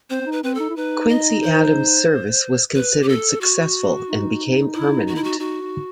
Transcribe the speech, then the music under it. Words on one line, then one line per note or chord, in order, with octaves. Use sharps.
The Quincy Adams service was considered successful and became permanent.
C4 C5
C4
D#4
B4
C4 B4
D#4 A4
E4
D#4 B4
D#5
C5
B4
G4
A4
F#4
D#4
E4
F#4
E4
F#4
D#4 F#4
D#4